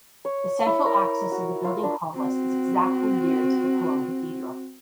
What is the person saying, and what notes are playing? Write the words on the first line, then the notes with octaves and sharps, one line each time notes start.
The central axis of the building complex is exactly geared to the Cologne Cathedral.
C#5
E4
A#4
F#4
F4
D4
C4 F#4